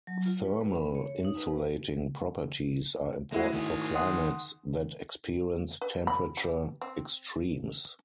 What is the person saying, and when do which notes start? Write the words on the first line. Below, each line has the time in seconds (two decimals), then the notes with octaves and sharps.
Thermal insulating properties are important for climates that experience temperature extremes.
0.07 F#3
0.26 F4
0.45 B4
0.61 B4
0.75 B5
0.95 C#5
1.25 D#4
1.37 B4
3.32 G#3 A3 E4 F#4
3.54 D#3 G#4
3.95 F#5 C6 D#6
5.81 B4
6.07 B5
6.37 G3
6.81 C4